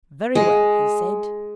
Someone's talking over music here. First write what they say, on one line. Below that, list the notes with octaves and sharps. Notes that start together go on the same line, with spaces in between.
'Very well,' he said.
G#3